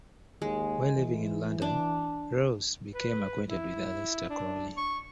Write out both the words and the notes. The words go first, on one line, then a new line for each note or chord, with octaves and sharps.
While living in London, Reuss became acquainted with Aleister Crowley.
D#2 G#3
E3
D4
B4
E4
D4
C#6